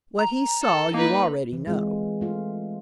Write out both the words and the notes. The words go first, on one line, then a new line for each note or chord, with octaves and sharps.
What he saw you already know.
A#5
A4
A#3 D#4 B4
E3
G#3 C4 F4
A3 F4